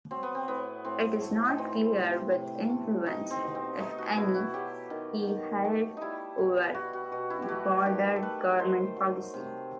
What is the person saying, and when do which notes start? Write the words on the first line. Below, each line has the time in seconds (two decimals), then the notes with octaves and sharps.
It is not clear what influence, if any, he held over broader government policy.
0.11 F#3 C4
0.23 B3
0.35 C4
0.48 A2 B3
0.85 A2 C4
1.22 A3
1.48 D#4
1.58 E3 C4
1.95 C3
2.32 C3
2.69 A3
3.06 A3 D#4
3.31 C4
3.43 B2
3.55 C4
3.80 A3 D#4
3.98 F#4
4.17 B2 E4
4.35 F#4
4.54 F#3 G4
4.90 D#3
5.28 D#3
5.65 A3
5.97 G3 D#4 E4
6.38 B2
6.75 G3 F#4
6.93 F#4
7.12 B2 F#4
7.30 E4
7.42 G4
7.49 A3 F#4
7.86 D#3 G4
8.16 A4
8.23 A3 B4
8.59 D#3 C5
8.96 F#3
9.34 C3